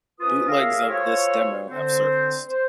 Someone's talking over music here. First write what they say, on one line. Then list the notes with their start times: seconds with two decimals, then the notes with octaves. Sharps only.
Bootlegs of this demo have surfaced.
0.20 F2 C#4 F4 B4 D#6
0.48 G4 G#4 A#4 C#5 E5 F5
0.89 F4 F#4 A4 C5 C#5
1.70 D3 C4 C5
2.48 C5